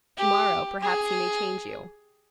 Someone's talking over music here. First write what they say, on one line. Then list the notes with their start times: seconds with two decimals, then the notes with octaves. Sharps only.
To-morrow, perhaps, he may change you.
0.17 G4
0.82 G#4